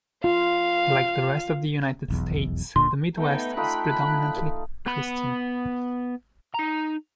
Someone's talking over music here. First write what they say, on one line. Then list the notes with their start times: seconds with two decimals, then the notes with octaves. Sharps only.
Like the rest of the United States, the Midwest is predominantly Christian.
0.24 F4 F5
2.08 F1 B1 E2
2.76 D1 A#2 D3 C6
3.17 A3 B3 D#4 G5
3.57 D#4 F4 A4 G5 B5 F#6
4.86 B3 B5
6.54 D#4 A#5